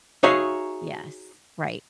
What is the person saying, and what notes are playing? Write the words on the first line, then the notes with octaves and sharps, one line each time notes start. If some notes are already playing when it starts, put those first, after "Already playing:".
Yes. Right.
D#4 F#4 G#4 C#5 E5 F5